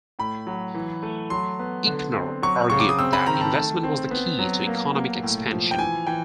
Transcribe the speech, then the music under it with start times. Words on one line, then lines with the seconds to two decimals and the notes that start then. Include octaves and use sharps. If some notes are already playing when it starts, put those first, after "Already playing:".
Eichner argued that investment was the key to economic expansion.
0.19 A2 B5
0.47 F#3
0.75 E3
1.03 A3
1.30 F#3 C6
1.59 B3
1.87 D3
2.14 C4
2.42 F#3 C#6
2.70 C#3 C#6
2.80 D6
2.89 D#6
2.99 C4 E6
3.13 B5
3.26 D#3 A#5
3.41 A5
3.55 A3 A5
3.83 C4
4.11 B3
4.39 F#3
4.67 A#3
4.94 A#3
5.23 A2
5.51 F3
5.71 G5
5.78 E3 G#5
6.07 E3 G5